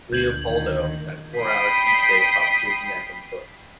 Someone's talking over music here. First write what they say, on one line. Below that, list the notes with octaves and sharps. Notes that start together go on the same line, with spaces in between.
Leopoldo spent four hours each day 'up to his neck in books'.
D2 A#2 G6 G#6 F#7
D#3
G5 B5 D#6 G6 B6 C7